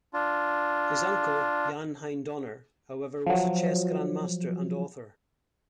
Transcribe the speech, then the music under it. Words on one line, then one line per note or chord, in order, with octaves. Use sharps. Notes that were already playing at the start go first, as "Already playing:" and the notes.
His uncle Jan Hein Donner, however, was a chess grandmaster and author.
D4 F4
F3 F#3